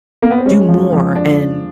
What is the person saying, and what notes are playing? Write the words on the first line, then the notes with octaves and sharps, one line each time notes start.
do more and
A#3
B3
C4
G#3 C#4
F3
F3
D4